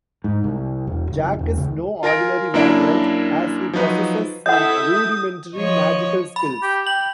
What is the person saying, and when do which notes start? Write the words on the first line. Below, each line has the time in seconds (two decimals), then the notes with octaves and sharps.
Jack is no ordinary vagrant, as he possesses some rudimentary magical skills.
0.24 G#2
0.44 C2
0.87 E1
1.12 F#1
1.39 E1
1.57 C#2
2.03 F4 A#4 G#5 A#6 D7
2.54 F#2 A#3 D4 E4 D7
3.73 F3 F#3 D#4 B4
4.46 E4 A4 D#5 E5 F#5 D#6 G6
5.56 F3 C#5 D#5
6.36 B5
6.62 G4
6.87 G5 F#7